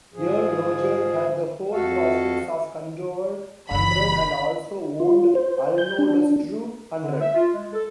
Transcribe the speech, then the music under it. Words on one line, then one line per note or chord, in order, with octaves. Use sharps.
Earl Roger had the whole profits of Condover hundred and also owned Alnodestreu hundred.
G#2 F3 G#4
F2 F#4 A4 F5
F#1 E3 B5
F4
C5
G6
D4
D3
E5
F4
G#3
A4